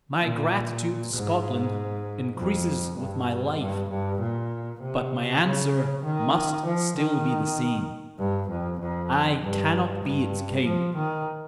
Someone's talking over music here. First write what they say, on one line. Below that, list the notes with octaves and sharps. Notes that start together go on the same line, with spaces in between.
"My gratitude to Scotland increases with my life; but my answer must still be the same--I cannot be its king."
A#2
G#2
F2
G2
G2
G2
A#2
C3
C#3
D#3
F3
D#3
G2
F2
F2
G2
G2
F3
D#3